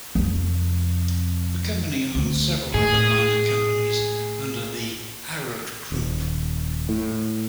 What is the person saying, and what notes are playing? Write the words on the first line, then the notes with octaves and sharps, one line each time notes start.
The company owns several other minor companies under the "Arad Group".
F2 C3
D2
A2 G#4
D#1
A2